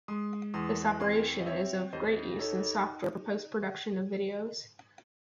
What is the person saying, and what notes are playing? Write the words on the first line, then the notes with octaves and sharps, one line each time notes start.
This operation is of great use in software for post-production of videos.
G#3 C6 D#6
E2 C6 D#6
C4 G#5 C6
D#5
C4 C#5 E5
D#2 C5 D#5
D#4 A4 C#5